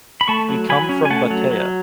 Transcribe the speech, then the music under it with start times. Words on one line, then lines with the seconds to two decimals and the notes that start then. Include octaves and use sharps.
We come from Batea.
0.21 B5
0.28 A3 A5 C#6
0.49 F#3
0.69 F#3 G#5 B5
0.89 C#4
1.05 G#5
1.10 A3 F#5 A5
1.31 F#3
1.51 F#3